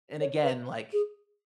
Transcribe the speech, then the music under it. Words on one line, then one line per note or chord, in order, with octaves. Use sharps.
and again, like,
C#5
B4
G#4